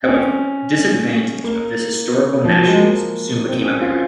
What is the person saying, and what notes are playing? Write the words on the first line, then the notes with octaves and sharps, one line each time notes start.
However, a disadvantage of this historical nationalism soon became apparent.
C4
C#4
A#3
F3
F#3
G#3
A#3
C4
C#4
F4